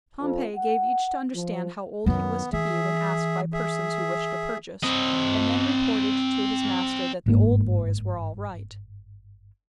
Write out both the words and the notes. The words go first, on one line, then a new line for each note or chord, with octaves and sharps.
Pompey gave each to understand how old he was to be when asked by persons who wished to purchase, and then reported to his master that the "old boys" were all right.
F2
F#5
F3
F#2 D#3 B3
E3 G#4 E5
G#4 E5
C4 D#5
G1 G#2 A#3